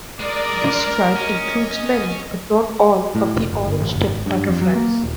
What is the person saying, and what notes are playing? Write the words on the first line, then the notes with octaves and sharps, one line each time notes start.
This tribe includes many, but not all, of the orangetip butterflies.
G#3 A#4 D5
C#4 D#5
A2
F1
G#1
G1
A1
F#1
G#1
G2
F2
F#3
A#3
D#1